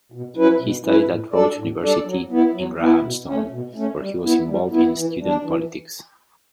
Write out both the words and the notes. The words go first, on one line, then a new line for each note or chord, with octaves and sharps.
He studied at Rhodes University in Grahamstown, where he was involved in student politics.
B2
F#3 C#4 E4 B4
B2
F#3 C#4 E4 B4
A2
G3 D4 A4 D5
A2
G3 D4 A4 D5
F#3
B3 E4
F#3
B3 E4
B2
A3 C#4
B2
A3 C#4
G3
B3 E4
G3
B3 E4
E3
G3 D4
E3